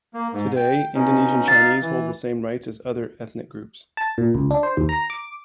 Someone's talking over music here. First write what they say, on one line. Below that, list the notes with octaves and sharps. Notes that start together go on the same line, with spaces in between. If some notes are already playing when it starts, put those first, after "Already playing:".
Today, Indonesian Chinese hold the same rights as other ethnic groups.
A#3
G#2
G5
B2 C#4 D#4
D#4 F5 A6
E3
A5
A#2
C#2
D4
C5
D#2
A#5
D6